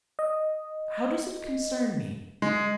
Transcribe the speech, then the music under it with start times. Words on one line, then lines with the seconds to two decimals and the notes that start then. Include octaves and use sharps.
How does it concern me?
0.19 D#5
2.42 G#3